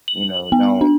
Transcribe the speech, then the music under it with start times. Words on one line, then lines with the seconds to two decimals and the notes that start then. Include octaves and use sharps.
you know, don't,
0.08 F#7
0.52 B3
0.81 D4